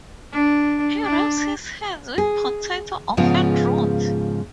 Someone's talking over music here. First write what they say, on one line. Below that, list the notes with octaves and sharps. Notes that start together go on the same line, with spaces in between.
He rubs his hands with potato or fern root.
D4
D4
G#4
G#2 C#3 F3 G#3 B3 F4